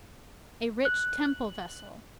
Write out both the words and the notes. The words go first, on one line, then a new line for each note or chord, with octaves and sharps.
A rich temple vessel.
F#6